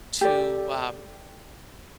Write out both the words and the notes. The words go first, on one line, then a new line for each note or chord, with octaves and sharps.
to, uh,
G4 A4 D5